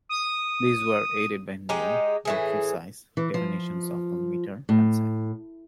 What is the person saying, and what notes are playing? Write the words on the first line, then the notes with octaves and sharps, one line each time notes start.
These were aided by new, more precise, definitions of the metre and second.
D#6
G#3 D#4 G4
A2 E3 G#4
E3
F3
A2